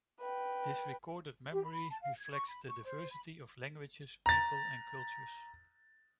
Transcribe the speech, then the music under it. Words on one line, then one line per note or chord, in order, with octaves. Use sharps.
This recorded memory reflects the diversity of languages, people, and cultures.
B4 G5
G4
B5
A5
F5
G#6
C#6
B5
C#6
C5
B5
A#5 A6